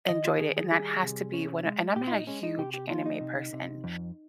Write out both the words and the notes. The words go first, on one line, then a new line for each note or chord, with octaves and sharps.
enjoyed it. And that has to be what and I'm not a huge anime person,
D#3 D#5
F4
D#3 G#4
G#4
G3 G#4
C3
C#4
G#3
A#2 G4
F4
D#4
G#3 C#4
D#4
C3 G4
G4
F3 F4
D#4
C3
C3
F2